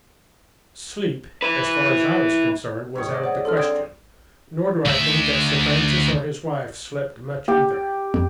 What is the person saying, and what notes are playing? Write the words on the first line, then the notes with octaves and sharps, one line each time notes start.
Sleep, as far as I was concerned, was out of the question, nor do I think that Sir Francis or his wife slept much either.
E4 B4
G#2 D#3 C#5
D5 D#5
C5 C#5 F#5
D3 F4 A4 F6
C4 D#6 G#6 D7
D2 E5
A#3 G4
F2